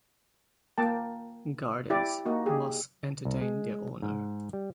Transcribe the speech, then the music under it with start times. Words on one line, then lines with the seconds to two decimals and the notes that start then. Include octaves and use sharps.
Gardens must entertain their owner.
0.78 A#3 G5 A5
1.90 E4 G4 D5
2.26 A#3 D#4 F#4
2.46 G4 G#4
3.25 C2
3.41 G#3
4.02 G#2
4.53 G3